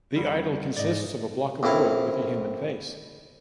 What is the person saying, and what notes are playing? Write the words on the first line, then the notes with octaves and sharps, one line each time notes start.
The idol consists of a block of wood with a human face.
F2 D3 G3
G#2 D5 D#5
A#1 F2 C#4 E4 F5